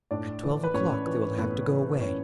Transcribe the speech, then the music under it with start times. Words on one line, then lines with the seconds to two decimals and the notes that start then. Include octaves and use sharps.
At twelve o'clock they will have to go away.
0.11 A2 D4 D5
0.43 E3
0.63 B4
0.74 A2 C#4 C#5
1.07 E3
1.37 A2 B3 B4
1.70 E3
2.01 A2 C#4 C#5